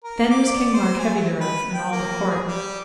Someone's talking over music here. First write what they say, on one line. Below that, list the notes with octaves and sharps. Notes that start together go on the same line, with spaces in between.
Then was King Mark heavy thereof, and all the court.
A#4
D6
D5
C5
G#5
F#3
B4
G5
A#3
G#4
G3